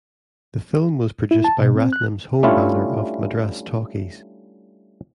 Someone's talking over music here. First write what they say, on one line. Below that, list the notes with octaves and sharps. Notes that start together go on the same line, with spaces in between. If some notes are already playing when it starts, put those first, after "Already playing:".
The film was produced by Ratnam's home banner of Madras Talkies.
E4
A5
B2
C4
F#6
G3 A3 C#4 D4 E4 F4